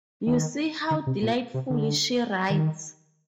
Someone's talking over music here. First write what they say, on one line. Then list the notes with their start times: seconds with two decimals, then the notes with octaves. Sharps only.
You see how delightfully she writes.
0.27 D#3
0.91 D3
1.07 C3
1.22 A#2
1.54 C3
1.70 D3
2.50 D#3